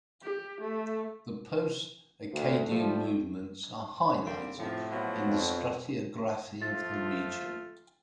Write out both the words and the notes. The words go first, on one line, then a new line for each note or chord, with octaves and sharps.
The post-Acadian movements are highlighted in the stratigraphy of the region.
G4
A3
D2
F3 G3 A3
D3 G3 A#3 C4
A2 C3 F3
B2 F3 F#3
F2
F3 A3 F4 A6